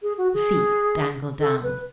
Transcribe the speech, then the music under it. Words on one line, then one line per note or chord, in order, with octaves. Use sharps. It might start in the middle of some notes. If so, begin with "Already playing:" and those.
The feet dangled down.
G#4
F#4
G#4
A4
B4